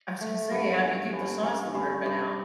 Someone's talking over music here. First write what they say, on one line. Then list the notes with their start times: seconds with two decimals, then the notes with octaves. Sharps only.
I was gonna say, how do you keep the sauce from dripping out?
0.21 A3
0.51 G2
0.83 C#4
1.13 G2
1.43 C#4
1.75 G2
2.06 G2